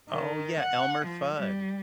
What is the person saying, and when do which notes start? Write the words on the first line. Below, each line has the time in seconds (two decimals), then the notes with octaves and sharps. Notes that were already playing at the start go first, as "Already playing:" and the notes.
Oh yeah, Elmer Fudd.
0.10 D#3
0.60 F#5
1.06 F3
1.35 G3